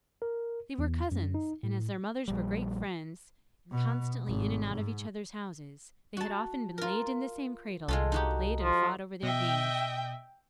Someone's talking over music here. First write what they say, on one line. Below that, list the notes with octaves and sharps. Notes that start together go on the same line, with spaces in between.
They were cousins, and as their mothers were great friends, and constantly in and out of each other's houses, they had often been laid in the same cradle, and had played and fought over their games.
A#4
E2
F#2
D#4
A2
A#1 G3
B2
G#1
G#2
F#4 A5
F4 A#4
C2 G#3 F4 A4
D#4 F#4 G4
F3
B2 D#5 E5 G5